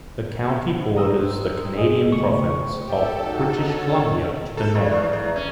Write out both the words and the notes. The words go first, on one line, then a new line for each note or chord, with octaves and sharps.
The county borders the Canadian province of British Columbia to the north.
A#5 D#6 E6
G#4 D#5
C#3 A3 C#6
G4 A4
D#4 F#4
C#5
A4
A#2
E2
E2
C#4